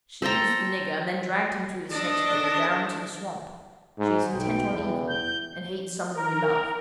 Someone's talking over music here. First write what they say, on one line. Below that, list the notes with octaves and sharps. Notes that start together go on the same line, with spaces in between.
She used the nigger, and then dragged him through the snake's hole down to the swamp; she is intent on evil, and hates some one we love.
A4 C5 G5 A#5
D4 A4 D#5
G#2
B1 G5
E2
G6
A#4